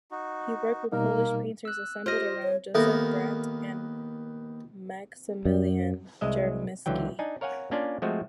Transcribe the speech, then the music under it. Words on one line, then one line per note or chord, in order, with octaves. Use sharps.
He worked with Polish painters assembled around Jozef Brandt and Maksymilian Gierymski.
D#4 F#4
B2 G3 A#3 D#4 A#4
E6 F#6
F4 G4 C5 D#5 F6 A#6
C#5
D#2 B3 A4 A#4 E5
F#2
C2 G#3 D#5 E5
C#2 D3 E3 F#3 G5
D4 D#4 G#5
A#4 C#5 F5 F#5 G#5
A#3 C#4 D4 F4 D5
F3 G#3 A3 C4 F#4